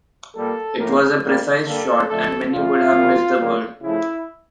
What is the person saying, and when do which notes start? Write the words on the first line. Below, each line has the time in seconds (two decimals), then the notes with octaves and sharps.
It was a precise shot, and many would have missed the bird.
0.35 A#2 G3 A#3 A4
0.79 A2 F3 A#3
1.23 A2 G3 A#3
1.65 G2 D3 G3 A#3 A4
2.08 F2 D3 F3 A3 A4
2.52 G2 F3 A3 F4
2.95 E2 C#3 G3 A#3
3.39 F2 C#3 G3 A#3
3.81 C#3 F3 A3 E4